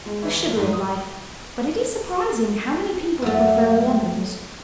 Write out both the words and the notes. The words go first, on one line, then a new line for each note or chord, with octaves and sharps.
The sugar of life, but it is surprising how many people prefer lemons.
G#3
E3
A#4
G#2
D#6
F#2 A3